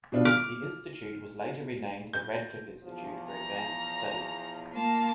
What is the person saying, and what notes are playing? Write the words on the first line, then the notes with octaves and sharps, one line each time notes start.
The Institute was later renamed the Radcliffe Institute for Advanced Study.
B2 D4 F4
D6 F6
G6
E2 F3
A#5
A#3 F4 F5 A5